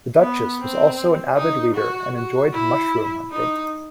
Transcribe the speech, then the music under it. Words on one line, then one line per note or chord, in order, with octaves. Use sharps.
The Duchess was also an avid reader and enjoyed mushroom hunting.
B3
C4
D#4
F#4
F#4
E4
D#4